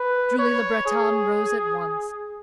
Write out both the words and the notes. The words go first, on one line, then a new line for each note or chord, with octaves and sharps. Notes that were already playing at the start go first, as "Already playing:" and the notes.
Julie Le Breton rose at once.
Already playing: B4
C#5
G#4